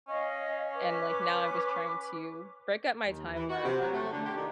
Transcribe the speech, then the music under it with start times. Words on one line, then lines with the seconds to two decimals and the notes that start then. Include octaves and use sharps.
and, like, now I'm just trying to break up my time where,
0.08 C#4 D#5 F5
0.75 B4 D6
3.05 D#2
3.35 E3
3.49 F#4
3.64 C3
3.79 F#3
3.93 A3
4.12 D3
4.24 G4
4.36 D#3